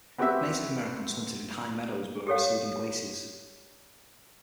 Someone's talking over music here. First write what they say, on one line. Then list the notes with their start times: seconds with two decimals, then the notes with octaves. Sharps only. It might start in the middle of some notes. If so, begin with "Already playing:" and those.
Native Americans hunted in high meadows below receding glaciers.
0.18 B3 C4 F#4 G4 C5 E5
2.27 G4 A4 C#5 F5